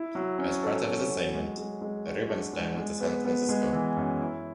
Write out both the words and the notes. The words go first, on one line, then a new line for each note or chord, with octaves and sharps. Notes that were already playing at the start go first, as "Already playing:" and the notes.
As part of this assignment, Rubinstein went to San Francisco.
Already playing: E4
F#3
C#4
A4
F#3
F#3
G#3
G#3
G#3
F#4
D4
G#3
G#3
B3
B3
G#3
E3
F#2
E4